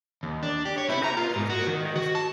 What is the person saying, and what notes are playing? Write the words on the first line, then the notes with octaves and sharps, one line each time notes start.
I'm not nearly as good as
D#2
D4
G4
C#5
E4
A#5
F4
G#2
F#4
D#3
F#4
A5